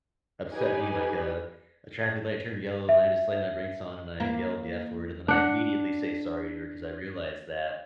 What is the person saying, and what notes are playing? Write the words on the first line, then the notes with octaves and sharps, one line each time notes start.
upset me, like a a traffic light turned yellow and I just slammed my brakes on and I yelled the F word and then I immediately say sorry to her 'cause I realized that
D#4 G4 B4 G#5
E5
A#3
D4 F#5